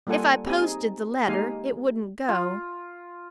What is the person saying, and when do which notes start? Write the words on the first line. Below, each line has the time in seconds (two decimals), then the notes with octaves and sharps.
If I posted the letter, it wouldn't go.
0.07 G3 A#3 F4 A4 F#5 G#5
0.46 C4 G4 G#5
0.60 D#4 G#4
1.27 G#3 A#3 D#4 G4 F5 G#5
2.29 F4